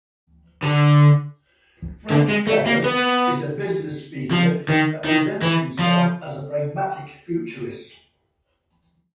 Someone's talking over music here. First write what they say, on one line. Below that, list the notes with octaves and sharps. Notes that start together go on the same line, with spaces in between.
Frank Feather is a business speaker that presents himself as a pragmatic futurist.
D3
D3
G#3
A3
A#3
B3
F3
D#3
D#3
E3
F3